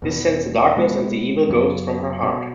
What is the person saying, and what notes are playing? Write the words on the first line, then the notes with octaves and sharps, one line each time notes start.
This sends the darkness and the evil ghosts from her heart.
E2 B2 B3
B2 G#3 B3
F#2 C#3 F#3 B3
B2 B3